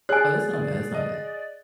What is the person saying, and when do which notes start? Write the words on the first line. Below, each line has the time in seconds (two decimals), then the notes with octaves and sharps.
Oh, that's not bad, that's not bad.
0.09 G#4 C#5 D5 G#5 F#6
0.94 D#5